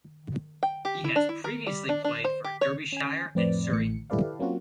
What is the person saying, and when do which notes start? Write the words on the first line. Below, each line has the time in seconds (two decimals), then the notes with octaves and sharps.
He has previously played for Derbyshire and Surrey.
0.63 G5
0.85 G4
1.04 E4
1.16 D4
1.29 E4
1.44 A#4
1.66 G3
1.89 D4
2.04 D4
2.24 C5
2.45 G4
2.61 C#5
2.92 C#4 G#5
3.35 F2 A2 C4 B4 D5
3.71 A1 A2 C#7
4.10 E4 G4 A4 B4 D5 F5
4.40 F#3 A#3 C4 C#4 F4 F#4